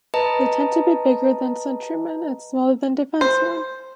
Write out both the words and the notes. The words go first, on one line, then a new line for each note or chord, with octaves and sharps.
They tend to be bigger than centreman and smaller than defenceman.
B4 D#5 A5 A#5
C5